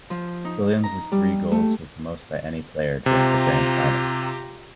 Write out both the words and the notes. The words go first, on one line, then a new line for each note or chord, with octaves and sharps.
Williams' three goals was the most by any player during the Grand Final.
F3
D#4
A#5
G3
A3
C3 F4 G4 A#5